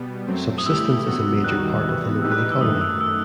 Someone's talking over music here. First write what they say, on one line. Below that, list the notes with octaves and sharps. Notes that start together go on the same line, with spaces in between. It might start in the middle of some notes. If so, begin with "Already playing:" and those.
Subsistence is a major part of the local economy.
Already playing: B2 G3 B3
F#2 F#3 A3 C4
D#6
G2 E3 A3 E4 G4 E6
C3 F#3 B3 F#4
D#2 D#3 G3 D#4 F#4 F#6
C3 E3 G3 B3 F#4
A2 G3 D#4 G4 B4 E6
F#6
F#6
E6
F#2 D#3 A3 D#6
E6
E6